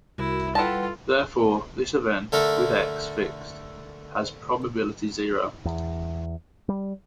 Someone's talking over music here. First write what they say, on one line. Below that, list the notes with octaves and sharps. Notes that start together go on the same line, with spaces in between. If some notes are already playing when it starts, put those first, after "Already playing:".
Therefore, this event, with "x" fixed, has probability zero.
C2 E4 F#4 A#4 E5
G3 E4 F4 A4 B4 F#5 G5 A5
D3 A3 A4 A#4
E2
G3